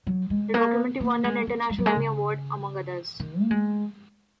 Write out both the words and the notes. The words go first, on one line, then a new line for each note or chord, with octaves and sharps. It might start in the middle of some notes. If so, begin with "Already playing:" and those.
The documentary won an International Emmy Award, among others.
F#3
G#3
A#3
A#3
G#3
A#3
G#3
F#3
G#3
C#3
D#3
A#3
G#3